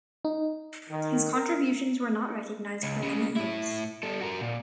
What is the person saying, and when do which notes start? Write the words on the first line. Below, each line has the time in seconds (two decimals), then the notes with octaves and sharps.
His contributions were not recognized for many years.
0.25 D#4
0.90 D#3
1.33 A#4
2.83 C#2
3.03 C#2 C#3
3.36 A2 E4
4.03 G3 A4
4.21 F#4 A#4
4.41 A#2